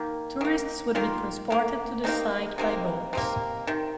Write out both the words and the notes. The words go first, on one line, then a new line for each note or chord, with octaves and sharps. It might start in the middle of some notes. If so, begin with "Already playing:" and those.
Tourists would be transported to the site by boats.
Already playing: D#3 A#3
D#3 A#3
D#3 A#3 F4
D#3 A#3
C3 D#3 A#3 D#4
C3 D#3 A#3
C3 D#3 A#3
C3 D#3